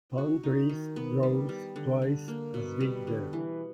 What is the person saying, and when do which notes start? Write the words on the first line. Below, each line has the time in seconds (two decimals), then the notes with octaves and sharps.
Palm trees grows twice as big there.
0.18 F#4
0.43 D#4
0.69 D#3
0.96 B3
1.23 G3
1.49 G3
1.76 D3
2.02 D3
2.28 A#3
2.54 B2
2.80 G3
3.07 D3
3.33 E3